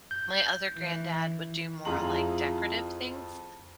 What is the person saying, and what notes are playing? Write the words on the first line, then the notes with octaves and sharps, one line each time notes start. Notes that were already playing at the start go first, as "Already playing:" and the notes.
My other granddad would do more, like, decorative things.
G6
E3
F2 E4 F4 G#4 A#5 F#7